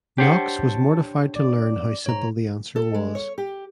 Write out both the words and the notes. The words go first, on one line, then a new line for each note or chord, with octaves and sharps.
Knox was mortified to learn how simple the answer was.
D4 G4 C5 C#5 F#5 A5
D5
G#2 C#5 A#5
A4
G#3
C#5
G4